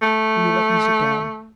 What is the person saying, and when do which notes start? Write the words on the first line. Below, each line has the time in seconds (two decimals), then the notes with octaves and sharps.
Will you let me sit down?
0.02 A3